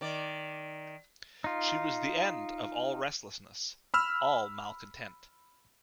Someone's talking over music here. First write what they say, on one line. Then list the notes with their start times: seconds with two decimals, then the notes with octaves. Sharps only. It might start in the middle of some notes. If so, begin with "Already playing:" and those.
She was the end of all restlessness, all malcontent.
0.01 D#3 D5
1.44 D#4 F4
3.94 B5 E6 F6